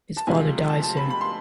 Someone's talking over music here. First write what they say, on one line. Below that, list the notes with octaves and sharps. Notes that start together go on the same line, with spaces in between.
His father dies soon.
A5
D2 C3 F3 G#3 G#5
A5
A5
B5
B5
C6